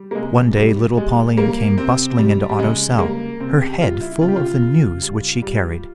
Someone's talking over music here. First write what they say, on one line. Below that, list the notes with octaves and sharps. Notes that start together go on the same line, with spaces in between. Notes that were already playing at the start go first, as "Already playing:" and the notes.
One day little Pauline came bustling into Otto's cell, her head full of the news which she carried.
Already playing: G3
A#3
C3 G#3
G3
G3 G#3
G3 A#3
C3 C4
G3
G3
C#3 G#3
G3 A#3
C#3 C4
G4
G3 F4
E4
C#3 F4
G4
F4
C#3
G3
G3